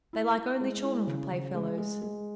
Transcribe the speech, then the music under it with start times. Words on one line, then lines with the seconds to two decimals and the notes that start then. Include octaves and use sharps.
They like only children for playfellows.
0.13 E4
0.37 E4
0.61 G#3
0.84 E4
1.07 C#3
1.31 C#3
1.54 G#3
1.78 G#3
2.02 G#3